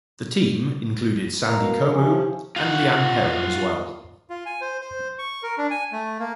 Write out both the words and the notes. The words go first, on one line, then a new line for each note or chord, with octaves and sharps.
The team included Sandy Comeau and Leanne Perron as well.
B2 A#4 F5 A#5
C3 F3 C#4
F4 F#5
F4
G#5
C5
C5
C#6
A#4
D4
G#5
A3
A#3